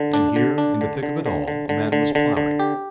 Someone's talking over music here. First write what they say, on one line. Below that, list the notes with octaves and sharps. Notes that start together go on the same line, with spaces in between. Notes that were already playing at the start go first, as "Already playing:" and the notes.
And here, in the thick of it all, a man was ploughing.
Already playing: D3
D4
D3
D4
D3
D3
D3
D3
D3
D3
D3
D3
G4